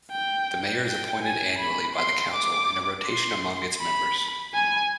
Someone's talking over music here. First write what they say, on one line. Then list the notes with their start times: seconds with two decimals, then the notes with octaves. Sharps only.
The Mayor is appointed annually by the Council in a rotation among its members.
0.12 G5
0.85 G5
1.22 G#5
1.59 B5
1.96 C6
2.33 D6
3.07 C6
3.81 B5
4.55 G#5